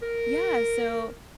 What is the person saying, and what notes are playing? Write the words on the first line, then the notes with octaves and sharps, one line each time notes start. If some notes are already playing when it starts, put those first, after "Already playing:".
Yeah, so
A#4